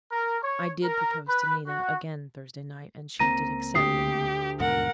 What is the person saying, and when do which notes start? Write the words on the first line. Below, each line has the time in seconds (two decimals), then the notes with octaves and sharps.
I did propose to Nita again Thursday night, and she did accept me.
0.12 A#4
0.43 C#5
0.83 A#4
1.27 B4
1.67 F#4
3.19 C#2 A#3 C4 A#5 A#6 D#7
3.75 D2 G4 D#6 C7
4.60 D#2 G#2 B2 A#4 F#5